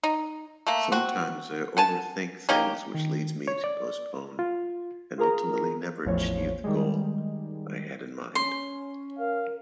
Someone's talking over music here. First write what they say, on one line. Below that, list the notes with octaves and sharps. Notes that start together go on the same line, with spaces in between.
Sometimes I overthink things which leads me to postpone and ultimately never achieve the goal I had in mind.
D#4
A3 A#3
C4 F#4
F#5 G#5 A5
A#3 C#4 D#4 G4
D#3
C#5
D5
F4
F4 G#4 A#4 A#5
A1 E2 F3 C#5
D#3 G3 G#3
C#4 C6
A#4 F5